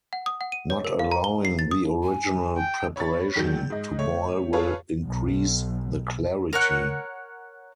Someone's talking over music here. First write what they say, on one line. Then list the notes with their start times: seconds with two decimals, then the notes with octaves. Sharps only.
Not allowing the original preparation to boil will increase the clarity.
0.13 F#5
0.26 D#6
0.41 F#5
0.52 D#7
0.70 C#5
0.85 A#4
0.99 F5
1.12 A#5
1.24 G7
1.45 C7
1.59 A6
1.71 D#6
2.03 G#5
2.57 G5
2.96 C#5 B5 C#6 A6
3.36 E2 D#3 F#3 G6
3.70 G#2 D#5
3.99 A3 C#5
4.53 F4 G#4 A4 B4 C#5 F5
5.04 B1
6.53 A#4 C#5 F#5